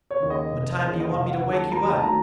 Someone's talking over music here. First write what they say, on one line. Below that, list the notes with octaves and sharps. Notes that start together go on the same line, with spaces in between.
"What time d'you want me to wake you up?"
C#5
D#2 C#3
D#5
F1
D#2 C#3
D#5
F1 F5
F5
F#5
D#2 C#3
A5
D#2 A#5
A5
D#3 F#3 A3 A#5